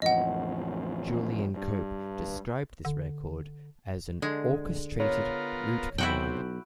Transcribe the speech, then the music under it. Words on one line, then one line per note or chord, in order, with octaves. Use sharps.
Julian Cope described this record as an "orchestrated root-canal".
A1 F2 D#5 F#5
G2
D3
D3 G#3
B3 F4 A#4 C#5
B1 C3 E4 F#4 G5